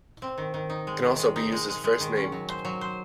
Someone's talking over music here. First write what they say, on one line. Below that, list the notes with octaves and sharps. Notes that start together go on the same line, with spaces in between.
It can also be used as a first name.
C4
D#3
D#3
D#4
G#3
D#3
G#3
D#4
G#3
G#3
G#3
D#3
C#4
F#3
C5
F#3
C5